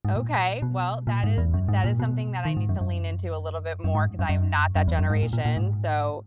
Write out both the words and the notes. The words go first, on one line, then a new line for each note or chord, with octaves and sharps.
Okay, well, that is that is something that I need to lean into a little bit more, 'cause I am not that generation so
G#2
A#2
B2
A#2
G#2
E2
F#2
G#2
A#2
B2
D#3
G#2
F#2
F#2
F#2
G#2
F#2
F#2
F#2
E2
F#2
G#2
A#2
A#2
A#2
G#2